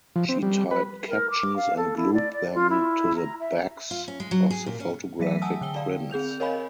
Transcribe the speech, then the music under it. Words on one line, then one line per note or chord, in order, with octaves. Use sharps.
She typed captions and glued them to the backs of the photographic prints.
F3
C4
G3
B4
A#4
D6
F5
A4
E4
D5
D5
F4
E4
A#5
E5
F4
C#4
G#3
F#3
G#4
A#2
C#4
E3 F#3 A3 E5 B6 D#7
F#5 G#5 A5 D#6 E6
D3 G5 G7
D5 F5
C4 G#4 G6 F7
A#4 C#5 D#5 F5 G#5 B5